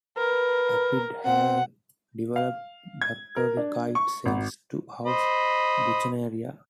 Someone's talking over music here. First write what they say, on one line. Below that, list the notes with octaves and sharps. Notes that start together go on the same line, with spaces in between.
Aphids have developed bacteriocyte cells to house "Buchnera".
A#4 B4
C4 F#5
F5
G#6
A#4
D4
C#6
G#1
C5 D#5 B5